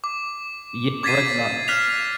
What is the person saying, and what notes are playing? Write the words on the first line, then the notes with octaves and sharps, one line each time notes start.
yeah, corrections are
D6
D6 G#6 A6 B6 C7 D#7
F6 F#6 B6 F7